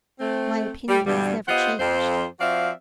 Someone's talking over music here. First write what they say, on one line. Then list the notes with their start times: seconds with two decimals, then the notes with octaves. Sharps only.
My opinion has never changed.'
0.20 A3 C4
0.89 G3
1.06 G2 B2 D3 E3 G3
1.48 B3 F4 G4 C5 D#5 F#5
1.80 F2 C5
2.40 F3 C4 F#4 D5 E5 F5